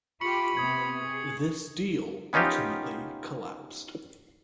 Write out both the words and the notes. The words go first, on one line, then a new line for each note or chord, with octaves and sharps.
This deal ultimately collapsed.
F4 G4 B5 C#6 C#7 F#7
C3 B3 D#6 G#6 F#7
G#4
B3 C#4 D#4 F4 G4